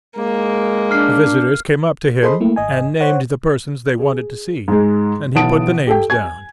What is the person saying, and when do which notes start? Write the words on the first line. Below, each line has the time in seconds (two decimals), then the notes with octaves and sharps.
The visitors came up to him, and named the persons they wanted to see, and he put the names down.
0.17 G#3 A#3
0.91 D4 F6 C7
2.23 G#4 A4 C5 D#5 B5 C6
2.40 A3 A#3 E4
2.56 G#1 D#5 G#5
3.01 C5 C#5 F#5
3.99 G#4
4.68 G#2 G#3
5.35 B1 E3 F#5 A5 D#6 D7
5.87 G4 A4 G5
6.10 G#5 G#6